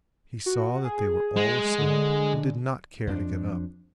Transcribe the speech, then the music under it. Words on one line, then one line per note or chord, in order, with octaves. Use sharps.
He saw that they were all asleep, and did not care to get up.
F#4
G#4
G#3
D3
F2 F3 A3 D4